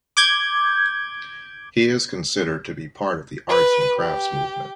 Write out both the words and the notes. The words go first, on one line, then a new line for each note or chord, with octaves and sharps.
He is considered to be part of the Arts and Crafts Movement.
D6 G6 G#6
B4
G4